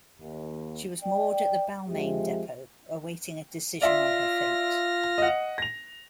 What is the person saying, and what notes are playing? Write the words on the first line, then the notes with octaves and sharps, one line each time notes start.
She was moored at the Balmain depot, awaiting a decision on her fate.
D#2
D5 G5
F2 F3 G#3 G4 E5
F4 D5 E5 C6 F6 A#6
D#5 F#5
A#6 F7